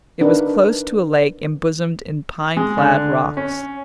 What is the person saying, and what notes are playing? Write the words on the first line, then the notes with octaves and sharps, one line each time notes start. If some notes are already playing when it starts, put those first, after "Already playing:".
It was close to a lake embosomed in pine-clad rocks.
D4 D#4 A#4 B4
G#3
D3
C#4